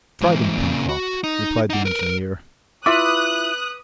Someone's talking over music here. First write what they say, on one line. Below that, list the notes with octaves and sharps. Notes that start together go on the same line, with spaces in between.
"Try them, Pencroft," replied the engineer.
G#2 E3
A#2 C#3
F#4
D#4
D#4 F#5
A#4 B4
E4 F4 B4 E5 D6 D#6 F#6